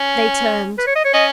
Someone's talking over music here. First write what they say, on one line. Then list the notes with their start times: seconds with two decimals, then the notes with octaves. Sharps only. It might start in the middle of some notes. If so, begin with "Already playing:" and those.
They turned.
Already playing: C#4
0.78 B4
0.87 C#5
0.96 D#5
1.05 C#5
1.14 C#4 D#5